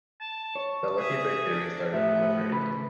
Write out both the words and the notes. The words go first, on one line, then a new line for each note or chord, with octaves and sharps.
The lucky break theory started proliferating.
A5
C#5
G#4 E5
D4
A2 F3 B3 G4 E5
C#3 B4 B5